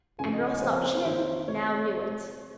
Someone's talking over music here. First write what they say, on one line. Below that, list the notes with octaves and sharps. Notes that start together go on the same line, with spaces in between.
And Rostopchin now knew it.
F2 C#3 F3 G#5
D#5
C#5
F2 C3 F3 A#3 C5
A#4
C5
C#5
F2 D#3 A#3 C5
C3 C#5